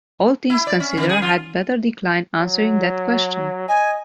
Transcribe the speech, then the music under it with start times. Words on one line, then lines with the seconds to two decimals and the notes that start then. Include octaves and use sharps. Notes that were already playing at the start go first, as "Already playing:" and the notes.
All things considered, I had better decline answering that question.
0.50 E4
0.67 D5
0.80 C#4
0.97 D#3
1.09 G#4
1.22 F4
2.41 F#3
3.69 D#5 G#5